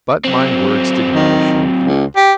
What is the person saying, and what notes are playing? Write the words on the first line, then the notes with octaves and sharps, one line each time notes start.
But my words did not assure them.
F#3 C4
D#3
C#2
G4